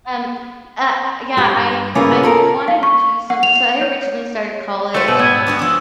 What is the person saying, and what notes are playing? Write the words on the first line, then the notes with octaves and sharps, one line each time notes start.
Um, y uh, yeah, I I wanted to do some so I originally started college,
G2 G4
C#3 A#3 B3 C#4 E4 F4
F4 A4 A#4
F5
C#6
F#5
F7
F7
C#5
F#3 G3 A3 F4 B4 C5
D2 B2 B3 E6
G#2 B3 G#6
E6
D4 F#4 G#4
F3 D4